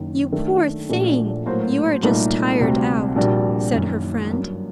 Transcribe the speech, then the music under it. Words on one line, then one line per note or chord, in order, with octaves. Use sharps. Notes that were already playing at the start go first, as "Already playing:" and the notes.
"You poor thing, you are just tired out," said her friend.
Already playing: F#1 F#2 D#3
D#3 A3 D4
A#1 A#2 A3 D4 F#4
A2 F#3 A#3 F#4 C5
C2 A#2 A3 D#4
D2 C3 G3 C4 F#4
A#1 A#2 G3 D4 F#4
F#1 F#2 D#3
G2 F#3 A#3